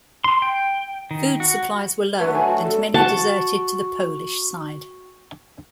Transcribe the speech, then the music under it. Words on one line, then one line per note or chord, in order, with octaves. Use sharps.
Food supplies were low, and many deserted to the Polish side.
C6
G5
D#3
F#4
D3 F#3 A3 B4
G#5
F#4
A4
F#4 A5